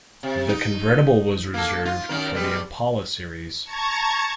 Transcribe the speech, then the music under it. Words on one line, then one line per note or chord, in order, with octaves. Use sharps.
The convertible was reserved for the Impala series.
C3
D#4
A#3 A4
F4
F#2 D#3 A#4
B2 G3 G#3
A5 A#5 C#6 G#6